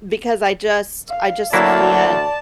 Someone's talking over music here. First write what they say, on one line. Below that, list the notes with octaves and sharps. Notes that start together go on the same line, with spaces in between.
because I just I just can't
F5
D2 F#3 A#3 E4 D5 A5